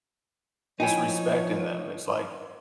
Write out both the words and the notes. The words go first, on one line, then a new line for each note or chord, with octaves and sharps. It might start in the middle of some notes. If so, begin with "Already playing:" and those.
disrespect in them, it's like,
F3 D#4 E4 C#5 G5 G#5